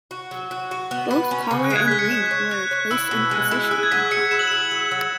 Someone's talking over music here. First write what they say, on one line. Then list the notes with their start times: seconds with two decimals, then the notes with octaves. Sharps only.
Both collar and ring were placed in position when hot.
0.11 F#4
0.31 F#3
0.51 F#4
0.71 F#4
0.91 B3
1.11 B4
1.31 C#4
1.51 C#3
1.64 F#6
1.70 G#3
1.76 G#6
1.88 G#3 B6
1.99 C#7
2.11 C#5 E7
2.31 C#5
2.51 C#5 F#6
2.71 C#5
2.91 E4 E6
3.11 B2
3.31 G#3
3.51 E4
3.71 G#4 F#6
3.83 G#6
3.91 F#3 B6
4.11 F#3 C#7
4.31 E4 E7
4.39 F#7
4.48 G#4 E7
4.71 F#3
4.91 F#3